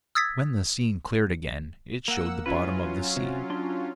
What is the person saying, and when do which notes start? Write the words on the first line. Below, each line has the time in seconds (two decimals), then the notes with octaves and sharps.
When the scene cleared again, it showed the bottom of the sea.
0.15 D#6 E6 G#6 A6 B6
2.08 A#3 F#5 E6
2.46 F#3 C#4 E4 F4 B4
3.16 C3
3.50 D4 C6